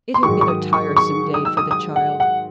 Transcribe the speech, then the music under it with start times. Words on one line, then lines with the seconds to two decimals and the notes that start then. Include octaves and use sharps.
It had been a tiresome day for the child.
0.14 C6
0.22 G#2 D#3 F#3 C#6
0.41 C#6
0.48 D#6
0.73 C#6
0.97 C#6
1.34 D#6
1.45 E6
1.57 D#6
1.71 D#6
1.96 F#5
2.20 F#5